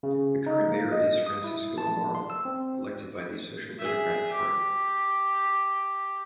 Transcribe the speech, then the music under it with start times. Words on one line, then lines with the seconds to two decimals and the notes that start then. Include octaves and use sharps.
The current Mayor is Francisco Amaral, elected by the Social Democratic Party.
0.03 C#3
0.46 D#4
0.71 A#3
0.92 D#5
1.27 D#6
1.44 E4
1.78 A5
2.15 C6
2.30 E6
2.45 C4
3.78 G#4 E5
4.31 G4